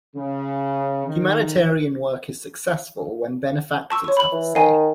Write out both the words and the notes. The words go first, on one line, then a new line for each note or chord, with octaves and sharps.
Humanitarian work is successful when benefactors have a say.
C#3
D#3
A5 C#6 E6
C#5 C#6
B5 F#7
E3
D#3 F5 G#5